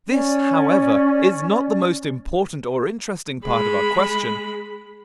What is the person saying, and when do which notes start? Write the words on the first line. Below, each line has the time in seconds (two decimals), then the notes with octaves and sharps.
This, however, is not the most important or interesting part of our question.
0.08 C#4 D5
3.45 G#3 B5